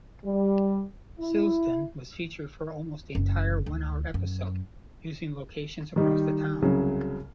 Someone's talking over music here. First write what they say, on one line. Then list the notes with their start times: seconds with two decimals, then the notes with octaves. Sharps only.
Silsden was featured for almost the entire one-hour episode, using locations across the town.
0.25 G3
1.19 E4
3.15 F#1
3.66 D2
4.14 F#2
5.96 D#3 G3 D#4
6.62 C2 C#3 F#3